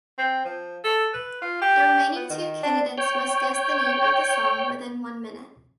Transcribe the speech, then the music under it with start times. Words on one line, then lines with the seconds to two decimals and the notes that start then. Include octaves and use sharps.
The remaining two candidates must guess the name of the song within one minute.
0.18 C4
0.45 F3
0.84 A4
1.14 B4
1.42 F4
1.61 G4
2.16 B3
2.30 D#3
2.63 D4
2.98 C#5 G5